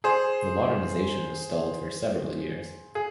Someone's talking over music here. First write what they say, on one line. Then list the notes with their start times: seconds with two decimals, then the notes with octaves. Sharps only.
The modernization was stalled for several years.
0.04 G#4 C5
2.95 G#4